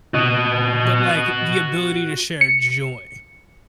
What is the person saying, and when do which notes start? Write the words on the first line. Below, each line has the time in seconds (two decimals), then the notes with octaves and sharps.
but like, the ability to share joy.
0.14 F#4 D#5
2.41 C#7